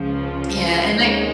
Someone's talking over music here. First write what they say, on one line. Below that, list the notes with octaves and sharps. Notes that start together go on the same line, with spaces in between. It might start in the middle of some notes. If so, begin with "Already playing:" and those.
yeah, and I
Already playing: C#2 C#3 F3
D2 C3 D#3 G#3 C#4